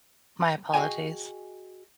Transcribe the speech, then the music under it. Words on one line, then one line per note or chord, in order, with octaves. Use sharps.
my apologies.
F#4 G#4 A#4 D#5 G5 G#5